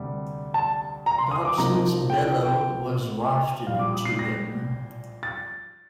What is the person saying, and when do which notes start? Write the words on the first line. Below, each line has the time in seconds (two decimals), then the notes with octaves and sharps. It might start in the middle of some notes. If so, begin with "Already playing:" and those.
Dobson's bellow was wafted to him.
Already playing: D2 C3 G3
0.54 A5
1.06 A#5
1.19 C6
1.31 D#6
1.45 D6
1.58 C2 C3 F3 A#3 D#4 A#5
2.10 G5
2.27 G5
2.45 G5
3.67 A#1 A2 G3 F5
3.79 D6
3.93 D#6
4.05 C7
4.19 A#6
5.23 A6